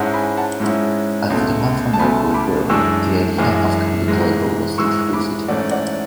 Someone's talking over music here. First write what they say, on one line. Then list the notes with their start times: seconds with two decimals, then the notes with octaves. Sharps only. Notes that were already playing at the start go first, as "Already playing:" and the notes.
As the demand for mercury grew, the idea of convict labor was introduced.
Already playing: G#2 G#3 C#4 E4 F#5 A5
0.13 G#5 B5
0.37 F#5 A5
0.60 G#2 G#3 C#4 E4
1.30 C#2 B2 A3
1.93 A5
1.99 C#2 B2 A3 G#5 B5
2.34 B5 D6
2.69 F#2 E3 G#3 D4 C#6 E6
3.38 F#2 E3 G#3 D4
4.08 G#2 E3 G#3
4.78 G#2 E3 G#3 C#6 E6
5.13 B5 D6
5.48 G#2 E3 A3 C#4 D5 F#5
5.71 D5 F#5